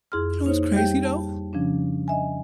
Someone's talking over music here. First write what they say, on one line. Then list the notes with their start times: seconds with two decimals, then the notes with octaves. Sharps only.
You know, it's crazy though?
0.12 F2 E4 G#4 C6 F6
0.45 A#3 D#4 C5 C#5
0.73 G3 G4 E5 G5 G6
1.05 A5
1.53 C#3 F3 C#4 D4
2.08 D#5 E5 G#5